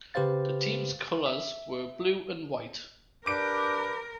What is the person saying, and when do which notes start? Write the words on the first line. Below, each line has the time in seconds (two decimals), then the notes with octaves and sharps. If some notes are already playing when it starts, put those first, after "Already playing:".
The team's colours were blue and white.
0.14 C#3 G4 B4 C5 F5 A6
1.26 E5
3.26 D4 G4 A#4 B4 D6 D7